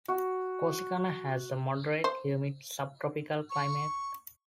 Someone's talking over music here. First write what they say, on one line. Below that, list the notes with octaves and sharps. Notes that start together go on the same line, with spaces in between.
Corsicana has a moderate humid subtropical climate.
F#4
C5
C#6